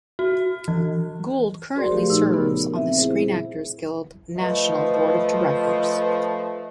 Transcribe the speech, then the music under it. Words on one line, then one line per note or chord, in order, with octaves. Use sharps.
Gould currently serves on the Screen Actors Guild National Board of Directors.
F#4
E3
F#4 G#4 A#4 C5 D5 C6
F3 A3 G4 A#4
A#2 D#4 E6
C#3 B3 A#4
C4 E5
E4 G#4 C5
F3 A3 B4 D#5